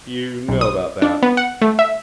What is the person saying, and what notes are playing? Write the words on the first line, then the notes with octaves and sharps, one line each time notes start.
"You know about that?"
B1
D#6
D4
B3
F#5
A3
E5